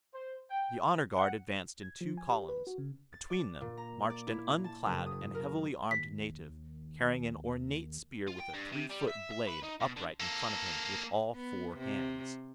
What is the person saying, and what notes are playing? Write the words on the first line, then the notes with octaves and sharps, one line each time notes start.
The honor-guard advanced in two columns; between them marched an unclad and heavily armed native carrying an ornate spear with a three-foot blade upright in front of him with all four hands.
C5
G5
F#5
G#6
F3
G#5
G4
B4
F#4
C#3
A6
D5
A#2
A#5
D5
E4
A5
F#1
D#6
A#4
D#2 B6
F4
G5
G2
C3
G3
E5
E5
B4
D#4
B2
D3
A#3 A4
B3
C3